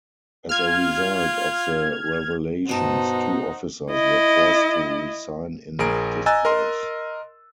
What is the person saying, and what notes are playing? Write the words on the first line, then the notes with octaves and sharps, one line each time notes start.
As a result of the revelations, two officers were forced to resign in disgrace.
F4 F6 G#6
G2 B2 D#4 C5 F#5 A5
E4 D#5
A#1 G#4 A#4 A#5 D7
D#5 G#5 A#5 E6 F#6 A6
A#4 D#5 C6